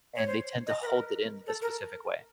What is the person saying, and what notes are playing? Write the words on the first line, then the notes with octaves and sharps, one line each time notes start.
and they tend to hold it in a specific way.
C#5
C5
D#5
B4
A#4
A4
A#4